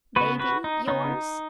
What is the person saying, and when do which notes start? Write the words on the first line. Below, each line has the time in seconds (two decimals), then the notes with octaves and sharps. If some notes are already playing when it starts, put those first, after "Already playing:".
"Baby yours?"
0.16 C#3 B3 F#4 B4
0.40 F#4 B4
0.64 D#4
0.88 C#3 B3 D#4